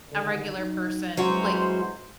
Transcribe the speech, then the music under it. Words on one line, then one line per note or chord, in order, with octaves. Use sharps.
a regular person, like
D3 D#3
F#3 D#4
G2 E3 F#3 G#3 C#4 F#4 C5